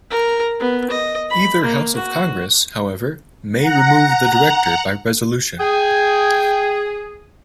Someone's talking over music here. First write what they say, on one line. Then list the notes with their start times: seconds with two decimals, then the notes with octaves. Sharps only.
Either house of Congress, however, may remove the director by resolution.
0.11 A#4
0.60 B3
0.91 D#5
1.30 B5
1.63 A#3
1.96 F#4
3.57 F#5 A#5
5.60 G#4 G5 G#5